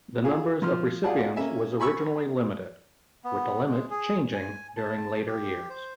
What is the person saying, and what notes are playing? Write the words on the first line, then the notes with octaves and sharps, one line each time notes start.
The numbers of recipients was originally limited, with the limits changing during later years.
F4 G#4 A4
F3 C6 F6
F4 G#4 D5 F#5 A5
A#3 C#4 A4 E5 G#5
G#5 B5 C#6 E6
B3
G#3
G#4
G#5
A5
G4
C5